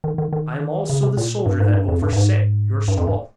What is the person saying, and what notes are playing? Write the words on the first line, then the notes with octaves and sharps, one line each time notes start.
I am also the soldier that overset your stall.
D#3
D#3
D#3
C#3
C3
A#2
G2
G#2
G2
F2
G2
G2
G#2
G2
F2
G2